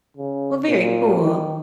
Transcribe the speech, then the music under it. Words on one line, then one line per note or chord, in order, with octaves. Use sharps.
Well, very cool,
C#3
A#2
D#3